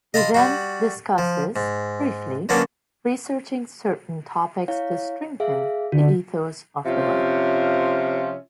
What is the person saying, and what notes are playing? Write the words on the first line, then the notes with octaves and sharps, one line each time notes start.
He then discusses, briefly, researching certain topics to strengthen the ethos of the writer.
D#5 F5 A5 B5 C6
G3 F#4
F3
G#2
D3 F#3 A#3 B3 C#4 D4
E4 C#5 F5
G#4 E5 F5
D3 F#4
C3 F3 C#4 F4 E5